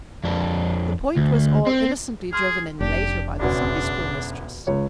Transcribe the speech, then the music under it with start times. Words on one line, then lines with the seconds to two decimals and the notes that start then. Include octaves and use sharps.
The point was all innocently driven in later by the Sunday-school mistress.
0.24 F2 D4
1.17 D2
1.67 C4
2.33 G#4 C6 F6
2.80 F1 D4 G4
3.39 E1 D2 C#3 B3 D4 F#4 D5
4.67 C#2 C#5